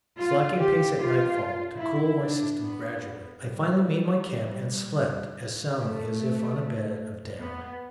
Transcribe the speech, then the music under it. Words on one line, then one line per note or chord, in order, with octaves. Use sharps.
Slackening pace at nightfall to cool my system gradually, I finally made my camp and slept as soundly as if on a bed of down.
F4
G4
F4
E4
D4
B3
G3
A3
B3